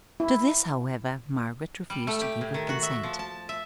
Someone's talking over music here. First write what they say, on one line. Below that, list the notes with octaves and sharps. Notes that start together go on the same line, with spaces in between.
To this, however, Margaret refused to give her consent.
E4
G3
A3
G4
A2
D#3
F#4
E5
F3
A5
E5